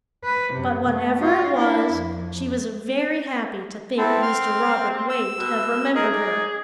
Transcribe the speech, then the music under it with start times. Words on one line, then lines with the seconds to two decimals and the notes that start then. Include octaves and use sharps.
But whatever it was she was very happy to think Mr. Robert Waite had remembered her.
0.24 B4
0.53 F#2 C3
0.88 A3
1.19 F4 F#4
1.57 D4 E4
1.93 F2
3.98 B3 C4 E4 A4
4.22 C6 F6
5.09 E6
5.38 B2
5.95 D#4 G#4 A#4 D#5
6.12 D#4 D5